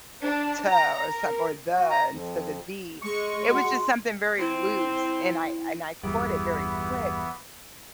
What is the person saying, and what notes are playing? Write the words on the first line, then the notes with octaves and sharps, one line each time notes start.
ta or something or, "the," instead of, "the." It was just something very loose, and I I and I caught it very quick,
D4
A#5
A#4
F#4
A#5
F2
G#3 C#6
F#4 C6
C4 E4
G1 E2 E3 G3 B3